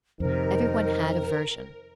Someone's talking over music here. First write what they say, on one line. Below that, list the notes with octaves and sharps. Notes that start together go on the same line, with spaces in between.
Everyone had a version.
F2 C3 D#3 A#4 C5